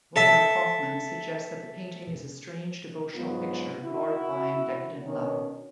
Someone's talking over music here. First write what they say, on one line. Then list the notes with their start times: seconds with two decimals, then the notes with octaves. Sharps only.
Werner Hofmann suggests that the painting is a strange devotional picture glorifying decadent love.
0.16 A4 E5 A5
3.15 G#2 F#3 B3 F4
3.82 E4 F#4
5.04 B2 D#3 C#4 D4 C#5